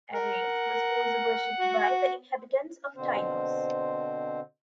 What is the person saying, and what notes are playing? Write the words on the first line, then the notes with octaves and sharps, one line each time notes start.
Ares was also worshipped by the inhabitants of Tylos.
A#4 F#5
F#4
B2 D3 C4 C5